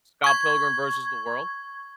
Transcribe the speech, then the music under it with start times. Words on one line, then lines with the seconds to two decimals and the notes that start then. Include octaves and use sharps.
Scott Pilgrim vs. the World.
0.24 C#6 G#6